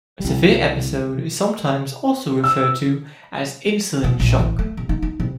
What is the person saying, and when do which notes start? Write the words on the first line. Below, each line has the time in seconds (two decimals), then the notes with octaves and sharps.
A severe episode is sometimes also referred to as "insulin shock".
0.20 C2 G3
2.44 E6
4.04 B2
4.20 A#1
4.39 A1
4.59 A3
4.77 C3
4.89 D#4
5.02 D#4
5.20 C3